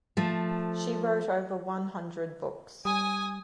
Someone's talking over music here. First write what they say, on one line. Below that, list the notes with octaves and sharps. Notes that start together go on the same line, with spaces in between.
She wrote over one hundred books.
F3 A3
G3 G#5 D#6